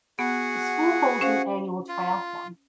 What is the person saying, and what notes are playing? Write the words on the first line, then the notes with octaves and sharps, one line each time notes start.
The school holds an annual triathlon.
B3 F#4 G#4 F#5
C#4 C5 F5
F4